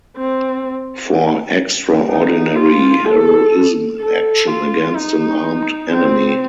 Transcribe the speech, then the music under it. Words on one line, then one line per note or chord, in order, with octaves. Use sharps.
For extraordinary heroism in action against an armed enemy.
C4
D#4
F4
A4
A4
F4
D#4
C4